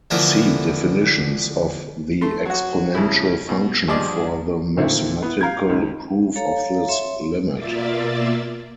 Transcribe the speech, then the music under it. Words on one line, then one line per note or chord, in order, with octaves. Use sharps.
See definitions of the exponential function for the mathematical proof of this limit.
D3 E3 F3 A3 B3 A#4
A3 C6
F#3 F#4
F2 C#3 E4
B2
G2 F3 D4 G#4 D5 D#5
A#2 D3 D#3 A3 A#3 C4
B3 E4
F5 A#5 G6 G#6
C#2 D#3
A4 C#5 F5 A#5
C#5 E5 C6
B2 A#3 F4 D5 E5 A6